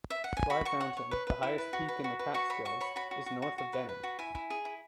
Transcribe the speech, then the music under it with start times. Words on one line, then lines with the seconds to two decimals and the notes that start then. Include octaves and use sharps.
Slide Mountain, the highest peak in the Catskills, is north of Denning.
0.10 E5
0.24 F#5
0.37 G#5
0.50 F#4 B5
0.65 F#4 C#6
0.80 C#5 F#5
0.97 C#5
1.11 B4
1.27 B4
1.43 E4
1.58 B4
1.73 F#4
1.88 B4
2.04 F#4
2.19 B4
2.34 F#4 C#6
2.50 C#5 B5
2.65 F#4 C#6
2.81 C#5 B5
2.96 F#4 B5
3.11 F#4
3.26 F#4
3.42 F#4
3.58 F#4
3.73 B4
3.89 B4
4.03 F#4
4.19 E4 G#5
4.35 E4
4.50 G#4
4.65 E4